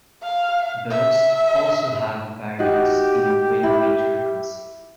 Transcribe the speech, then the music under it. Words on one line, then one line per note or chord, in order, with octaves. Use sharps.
Birds also have a variance in wing beat frequency.
F5
E5
D#4 F#4 G4
E4